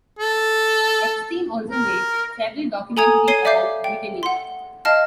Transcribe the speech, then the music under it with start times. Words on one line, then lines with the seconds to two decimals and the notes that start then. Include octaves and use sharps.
Epstein also made several documentaries about Brittany.
0.19 A4
1.71 A#4
2.97 A4 G#5 A#5 D#6 G#6
3.28 C#5 G#6 C7 D#7 G7
3.45 D5 E5 F5 D6 G6 C7
3.84 G5
4.23 F#5 C6
4.85 D#5 F5 A5 F6